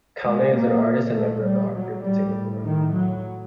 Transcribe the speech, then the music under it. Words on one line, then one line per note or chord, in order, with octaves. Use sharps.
Calne is an artist and member of the art group in Singapour.
A#2 G#3
A#3
A3
G3
F#3
A2 G3
D#3
F#3